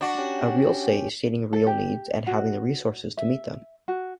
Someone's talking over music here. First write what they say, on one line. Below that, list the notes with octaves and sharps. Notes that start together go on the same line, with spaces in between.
A real say is stating real needs and having the resources to meet them.
D4 F#4
C#4 G4
A4
G4
F#4
E5
F#4